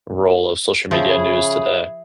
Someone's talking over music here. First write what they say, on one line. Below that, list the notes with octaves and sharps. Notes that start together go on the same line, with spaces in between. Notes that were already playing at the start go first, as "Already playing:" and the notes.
role of social media news today?
C#3 F3 E4 G#4